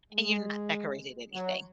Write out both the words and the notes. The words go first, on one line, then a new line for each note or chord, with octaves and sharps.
and you've not decorated anything.
G#3
F#3